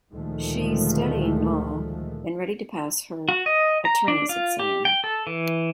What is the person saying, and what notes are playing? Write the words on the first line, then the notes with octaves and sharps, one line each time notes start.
She's studying law and ready to pass her attorney's exam.
D2 A#2 D#3 F3 G#3 A3
F#4
D#5
A#5
D4
F4
G4
G5
A4
E3